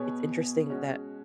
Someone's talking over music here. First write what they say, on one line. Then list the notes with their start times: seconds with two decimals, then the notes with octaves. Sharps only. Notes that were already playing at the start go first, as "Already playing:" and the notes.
it's interesting that
Already playing: B2 B3 G#4 C#5
0.70 G#3 C#4 F#4